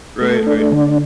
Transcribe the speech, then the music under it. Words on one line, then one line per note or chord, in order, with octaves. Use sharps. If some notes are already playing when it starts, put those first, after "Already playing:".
Right, right.
A3
D4
D3